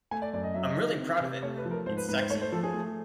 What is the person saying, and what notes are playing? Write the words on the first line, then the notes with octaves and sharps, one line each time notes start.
I'm really proud of it... It's sexy.
A3 G#5
D5
F#2 D5
D#5
F#3 E5
D#5
D#3
C4
C3
A3 C#5
B4
F3
A#4
G#2 C5
B4
G#2 B4
C5
A3 C#5
C5
F3 A4
G#4
A3